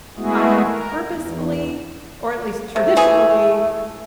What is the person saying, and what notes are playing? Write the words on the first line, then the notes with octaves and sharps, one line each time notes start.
I have purposefully, or at least traditionally,
G#3 A3 B3 E4 F#4 G#4
A#4
E2
C3 A3
E3 G#4